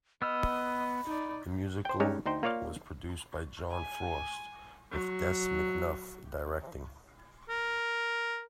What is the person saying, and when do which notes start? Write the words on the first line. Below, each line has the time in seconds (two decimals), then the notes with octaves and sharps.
The musical was produced by John Frost with Des McAnuff directing.
0.22 B3 D#5 B5 E6 F6
1.05 D#4 D5
1.85 C5 G5
2.00 G3 G#3 C#4 D#4 C#5
2.26 D2 D#4 C5 G5
2.43 A#3 F4 C#5 D5 F5
3.71 G#5
4.91 F#3
7.49 A#4